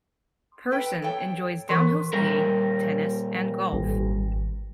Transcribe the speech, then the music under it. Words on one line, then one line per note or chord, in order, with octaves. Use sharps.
Persson enjoys downhill skiing, tennis and golf.
A4 B4 G5
A4 C#5 G5
E3 B3 A#4 C#6
A#2 G3 A#4
G#1